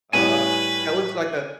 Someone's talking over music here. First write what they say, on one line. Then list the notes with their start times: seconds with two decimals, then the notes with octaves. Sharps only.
Uh, Katt Williams like a
0.13 A2 G3 B4 C#5 G#5